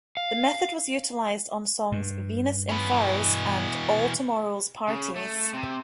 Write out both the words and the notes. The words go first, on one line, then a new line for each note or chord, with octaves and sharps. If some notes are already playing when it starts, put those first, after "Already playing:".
The method was utilized on songs "Venus in Furs" and "All Tomorrow's Parties".
F5
G2
B3 C#4
B2 E3
C#3
A3
C3